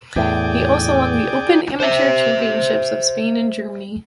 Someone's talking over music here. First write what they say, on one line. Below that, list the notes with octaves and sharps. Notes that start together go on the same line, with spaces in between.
He also won the open amateur championships of Spain and Germany.
E2 A2 G#4 D5 G5
C5 E5